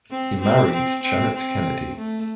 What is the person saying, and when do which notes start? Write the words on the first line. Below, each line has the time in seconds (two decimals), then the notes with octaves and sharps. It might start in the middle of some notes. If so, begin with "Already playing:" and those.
He married Janet Kennedy.
0.11 C4
0.41 C4
0.73 C4
1.03 C4
1.34 C4
1.97 A3